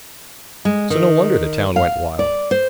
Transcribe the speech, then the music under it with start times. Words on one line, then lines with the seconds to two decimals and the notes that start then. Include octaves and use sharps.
So no wonder the town went wild!
0.65 G#3
0.90 D#3
1.76 F5
2.19 D5
2.51 C5